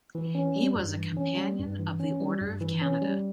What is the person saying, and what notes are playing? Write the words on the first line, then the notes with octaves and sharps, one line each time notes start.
He was a Companion of the Order of Canada.
E3
C#4
G3
G2
E3
C#4
G3
G2
E3
C#4
G3
G2
E3
C#4
G3